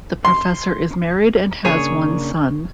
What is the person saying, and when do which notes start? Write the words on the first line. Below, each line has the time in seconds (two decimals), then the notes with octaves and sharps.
The professor is married and has one son.
0.25 C6
1.65 C#3 A#3 D4 G#4 C#5